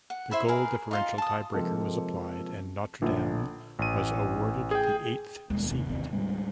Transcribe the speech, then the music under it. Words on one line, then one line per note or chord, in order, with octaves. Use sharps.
The goal differential tiebreaker was applied and Notre Dame was awarded the eighth seed.
F#5
E4 C5 E5 B5
G#4 A#4 B4
D#4 F4 C6
A5 D#6
C3 F3 G#3 A#3 C4 A4
A#1 D3
A1 D#7
G#4 G5
D#2 B2 G#3
C3
A1 D#2 D3 C4
A2 G3 G#3